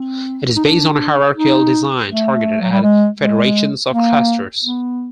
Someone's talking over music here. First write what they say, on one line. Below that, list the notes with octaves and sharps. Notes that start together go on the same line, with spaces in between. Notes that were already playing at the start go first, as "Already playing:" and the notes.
It is based on a hierarchical design targeted at federations of clusters.
Already playing: C4
D#4
D4
D#4
A3
F#3
G3
G#3
G#3
A#3
B3